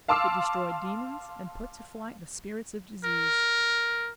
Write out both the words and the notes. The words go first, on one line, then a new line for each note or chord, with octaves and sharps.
It destroyed demons, and put to flight the spirits of disease.
F5 A5 C6 D6 E6
A#4